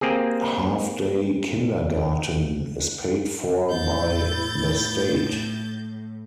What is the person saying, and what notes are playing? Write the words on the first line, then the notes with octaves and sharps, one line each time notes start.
Half day kindergarten is paid for by the state.
A#3 C4 G4 G#4
A2 E4 G6 A6